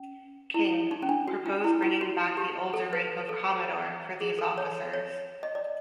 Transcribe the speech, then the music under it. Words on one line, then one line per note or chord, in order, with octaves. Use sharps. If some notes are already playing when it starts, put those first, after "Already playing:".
King, proposed bringing back the older rank of "commodore" for these officers.
Already playing: C#4
E4
D#4
C#4
D4
F#4
F4
E4
F4
F#4
G4
A4
B4
A4
G#4
A4
C#5
C#5
D#5
D5